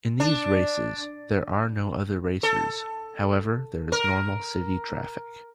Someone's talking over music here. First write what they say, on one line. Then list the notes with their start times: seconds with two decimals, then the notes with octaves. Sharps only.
In these races, there are no other racers, however there is normal city traffic.
0.20 D4
2.43 A4
3.92 A#4